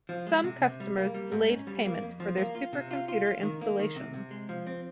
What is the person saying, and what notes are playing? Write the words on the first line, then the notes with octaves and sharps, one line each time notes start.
Some customers delayed payment for their supercomputer installations.
F3
G#3
C3
C3
G3
A#3
G3
G#2
C#4
G3
A#3
F2
F3
A#3
F4
C3
F4
F4
F4
D#3
A#3
D#3
C3
C3
G#3
F3
C4